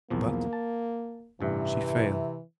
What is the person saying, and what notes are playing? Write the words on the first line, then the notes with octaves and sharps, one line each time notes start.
But she failed.
B1 E2 F3 A#3
A5
A1 G2 C3 E3